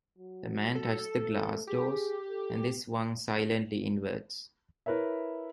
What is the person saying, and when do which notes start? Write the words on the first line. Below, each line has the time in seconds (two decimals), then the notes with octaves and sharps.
The man touched the glass doors, and they swung silently inwards.
0.18 F#3
0.75 A4
1.25 A3
1.67 G4 G#4
2.29 A4
4.86 E4 A#4 B4 C#5 E5